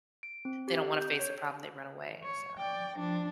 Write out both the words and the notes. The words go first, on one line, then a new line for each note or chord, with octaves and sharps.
they don't wanna face a problem, they run away. So,
D7
C4
G4
G6
C#5
C#5
D5 G5
F3 D4